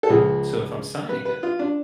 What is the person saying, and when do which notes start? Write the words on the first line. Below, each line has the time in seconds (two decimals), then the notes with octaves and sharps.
So, if I'm signing it,
0.03 A4
0.09 C#2 C#3 F3 G#4
1.09 B4
1.25 B4
1.43 F4
1.59 D4